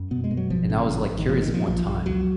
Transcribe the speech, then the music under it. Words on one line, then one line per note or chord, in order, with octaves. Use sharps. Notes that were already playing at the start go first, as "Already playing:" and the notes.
and, I was, like, curious one time,
Already playing: F#2
B2 B3
G#3
B2
F#3
G#1 F3
C#3
G#1
G#1
D#3
A#2 F3
D#3
A#2
F3
A#1 F3
A#1
C#2 F#3